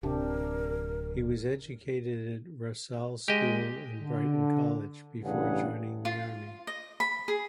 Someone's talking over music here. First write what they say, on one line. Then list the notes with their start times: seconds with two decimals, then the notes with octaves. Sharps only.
He was educated at Rossall School and Brighton College before joining the army.
0.03 D1 C3 D4 G4 A#4
3.28 G#3 G4 D#5
4.01 D3
5.24 A1 G2 C#3 G#4 F#5
6.05 F4
6.67 D#5
7.00 B5
7.28 G#4